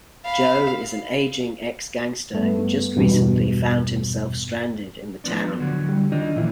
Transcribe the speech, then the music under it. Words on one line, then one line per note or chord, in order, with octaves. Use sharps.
Jo is an aging ex-gangster who just recently found himself stranded in the town.
F5 B5
G2 A3 B3
E2 G2 B2
F3 B3 D4
D3 F#3
G3
D#3 D4 F4 D#5
A#2 E3 F3 A#3 E4